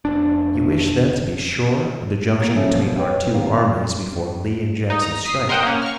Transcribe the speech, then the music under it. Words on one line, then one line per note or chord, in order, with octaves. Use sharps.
"You wish then to be sure of the junction between our two armies before Lee and Jackson strike?"
F1 D4
A#3
C#3 F3 A3 E5
B2 F3
B4 C#5 G5
D#3 C4 F5
D#4
A#5
D#6 B6 C7
A#4 C5 D#5 F#5 G5
A#3 C#4
C#6 F6